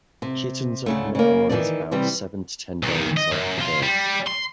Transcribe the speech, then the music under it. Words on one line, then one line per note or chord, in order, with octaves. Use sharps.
Kittens open their eyes about seven to ten days after birth.
C3
D2 C#3 A3
C#3 A#3
D#3 E3 F#3 C4 D#4 D5
C3 E3 G3
B1 D#3
D#5
F#2
C3 F4
G3
C6